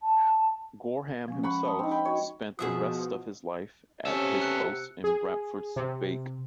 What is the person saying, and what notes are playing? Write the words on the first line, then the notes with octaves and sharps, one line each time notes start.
Gorham himself spent the rest of his life at his post in Brampford Speke.
A5
F3 G#3 C#4
F#5 B5 C#6
A5 D#6
C4 D4 D#4
G5 B5
F#4 C#5 D#5 C#6
B2 F3 F#4 G#4 E5 F#5 D#6
C3 B3 C#4 A4 E6 C#7
F#6 C#7
G#4
C3